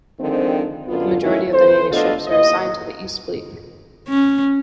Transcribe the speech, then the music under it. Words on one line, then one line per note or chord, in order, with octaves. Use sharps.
The majority of the navy's ships are assigned to the East Fleet.
D3 D#3 F3 G#3 C4
F#2 D3 B3 F4
G#2 D#3 E3 A3 C#4 E4
F2 A4 B4 C5
D2 B3 D4 F4 A4 D#5
D#2 E4 F4 D#5
C#4